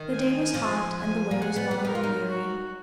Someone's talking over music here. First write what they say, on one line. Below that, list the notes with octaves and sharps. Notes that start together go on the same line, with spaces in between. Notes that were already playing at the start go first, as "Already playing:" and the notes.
The day was hot, and the way was long and weary.
Already playing: D#3
G#5
F3
G#5
A#3
G#3 F#5
B3
B3
D#4 A#4
F4
D#4
F#4